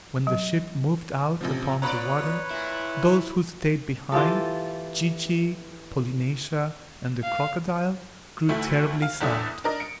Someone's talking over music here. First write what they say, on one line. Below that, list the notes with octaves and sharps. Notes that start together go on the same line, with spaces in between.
When the ship moved out upon the water, those who stayed behind, Chee-Chee, Polynesia and the crocodile, grew terribly sad.
F#3
A1 C3 F3
B3 F4 B4 C#5 D5 A#5 B5
A#2 E4
E3 F4 G4 A4
F5
D2 A3 E4 E5
F5
F#1 E2 D4 A4 E5 D#6
D4 A#4 D#5
C#7 D7